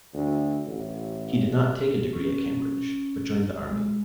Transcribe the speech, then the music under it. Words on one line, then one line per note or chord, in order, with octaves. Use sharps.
He did not take a degree at Cambridge, but joined the Army.
D2
A1
C#4
G#3